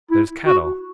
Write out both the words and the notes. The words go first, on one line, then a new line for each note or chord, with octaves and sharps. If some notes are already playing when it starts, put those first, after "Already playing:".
'There's cattle!
E4
F#4